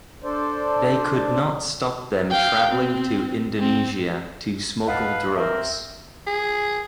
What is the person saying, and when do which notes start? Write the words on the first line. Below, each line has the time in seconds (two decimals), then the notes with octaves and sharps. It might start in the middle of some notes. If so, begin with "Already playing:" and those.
They could not stop them traveling to Indonesia to smuggle drugs.
0.23 D4 A4 C5 D5
2.30 F5 G5
2.72 C4
3.59 C4
4.87 D2 B4 D#5 F5 F#5 A5
5.37 C4 A#4 E5
6.27 G#4